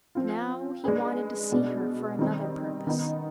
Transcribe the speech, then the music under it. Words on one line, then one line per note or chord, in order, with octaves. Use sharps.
Now he wanted to see her for another purpose.
F3 C4 F4
G#3 D4 G#4 B4
B2 G#3 B3 D4
D#3 G3 C4 D#4
D#3 B3 D#4